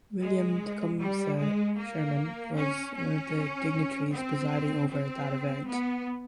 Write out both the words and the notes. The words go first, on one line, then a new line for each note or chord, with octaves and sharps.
William Tecumseh Sherman was one of the dignitaries presiding over that event.
G#3
G3
G#3
A#3
C#4
C#4
C4
C4
B3